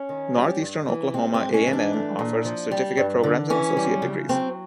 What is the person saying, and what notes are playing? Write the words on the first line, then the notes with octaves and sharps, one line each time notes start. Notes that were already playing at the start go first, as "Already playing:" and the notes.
Northeastern Oklahoma A and M offers certificate programs and associate degrees.
Already playing: C#4
D#3
G3
G2
E3
G#3 C4
C4
G#2
C#4
E3
D4
A3
A#2
F3
G3
G2
D3
E3 C#4
G3
C#3
F#3 C4